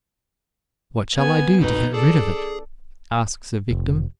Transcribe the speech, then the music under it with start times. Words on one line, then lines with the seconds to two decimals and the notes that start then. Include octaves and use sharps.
"What shall I do to get rid of it?" asks a victim.
1.15 B3 G#5
1.60 C2 F2 B2 D#4 B4
1.94 G#4 A4 D5
3.71 F1